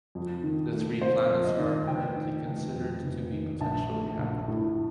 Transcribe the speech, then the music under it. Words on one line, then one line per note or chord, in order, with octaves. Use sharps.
The three planets are currently considered to be potentially habitable.
F2
D#3
A3
C3 C5
F2
D#5
D#3
F1 G5
D#3
F1
F2
F1
D#3
A#1 A5
A3
A#1
A2